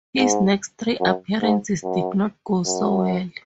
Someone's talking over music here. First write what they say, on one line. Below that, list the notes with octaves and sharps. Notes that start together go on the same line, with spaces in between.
His next three appearances did not go so well.
G#2
F#2
G#2
F#2
F#2